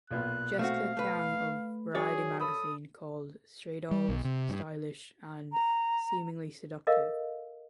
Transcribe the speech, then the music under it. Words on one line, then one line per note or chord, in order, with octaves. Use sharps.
Jessica Kiang of "Variety" magazine called "Stray Dolls" "stylish" and "seemingly seductive".
B1 A#2 B3 F#6
A3 C4 F#4 F5
A3 B4
F#3 G#4 C#5 D5
A4 B5 D#6
G3
B1
C3
G2
A#5
A4 A#4 D#5 F5